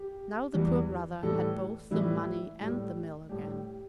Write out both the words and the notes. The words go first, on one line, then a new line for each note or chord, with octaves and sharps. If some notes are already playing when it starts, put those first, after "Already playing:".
Now the poor brother had both the money and the mill again.
Already playing: G4
E2 E3 G3
A2 E3 G3 A4
A2 E3 G3 E4
A2 G3
A2 G3 G4